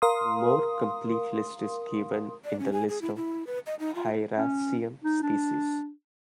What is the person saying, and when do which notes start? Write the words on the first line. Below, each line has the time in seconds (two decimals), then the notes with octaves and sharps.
A more complete list is given in the list of "Hieracium" species.
0.02 A#4 F5 C6 D#6
2.44 D5
2.60 C#4
2.73 G#5
2.89 G#4
3.02 E4
3.16 E4
3.47 B4
3.67 D#5
3.80 D#4
3.95 F4
4.37 C#4
5.04 D#4
5.23 D4